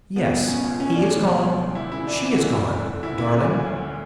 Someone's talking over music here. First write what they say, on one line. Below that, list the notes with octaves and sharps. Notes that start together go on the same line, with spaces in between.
'Yes, he is gone--she is gone, darling.
C#2 B3
B2
B2 C#4
C#2
B2 C#4
B2 D4
C#2
B2
D2
D2
E3 E4
C#3 E4
E3 D4
E3
F#4
E3 E4
D2
D3
D3
D2 E4
D3 E4
D4
D3 C#4
D2
D2